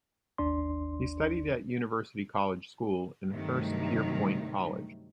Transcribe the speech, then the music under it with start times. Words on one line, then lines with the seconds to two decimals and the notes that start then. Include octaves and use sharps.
He studied at University College School and Hurstpierpoint College.
0.38 G#1 D#2 D4 D5 C6
3.31 G2 C3 D#3 F#3 A3 D#4